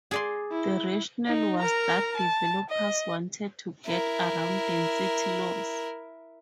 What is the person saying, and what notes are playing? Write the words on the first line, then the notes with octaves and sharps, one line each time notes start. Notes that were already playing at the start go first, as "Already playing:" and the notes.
The rationale was that developers wanted to get around density laws.
G#4 D5 C6
E4
D#4
A#4 A#5
A5
D#5
E4 A#4